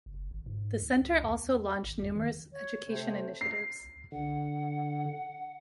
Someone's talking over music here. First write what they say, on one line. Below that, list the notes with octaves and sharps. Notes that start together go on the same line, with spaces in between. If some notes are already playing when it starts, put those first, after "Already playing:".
The centre also launched numerous education initiatives.
F#1
G#1
G#2
D2
C#2
E2
G#1
E2
D#3
C#5
C3 A3 C5
C7
D3 F#5